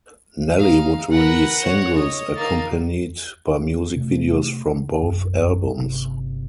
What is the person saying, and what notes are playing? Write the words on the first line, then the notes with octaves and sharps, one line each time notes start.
Nelly would release singles accompanied by music videos from both albums.
D#4 F5
A#4 B4 F#5 A#6
C#5
D#5
A#3 D#4 A6
C3 A3
A#1 F#2
G1 C3